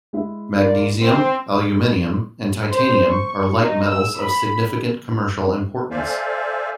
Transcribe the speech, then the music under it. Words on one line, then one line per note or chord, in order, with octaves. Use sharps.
Magnesium, aluminium and titanium are light metals of significant commercial importance.
G#3 E4 E5
F4 A#4 D5
C4
C5
C#6
D#4
E6
B5
A4 C5 D5 E5 F5 G#5